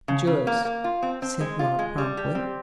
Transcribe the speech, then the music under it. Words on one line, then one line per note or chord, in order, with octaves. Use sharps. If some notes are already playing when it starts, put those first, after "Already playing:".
"Joyce," said Rob, promptly.
C#3
C#3
A#3
A#3
F4
C4
C4
G#3
F4
G#3
G3
G4
C4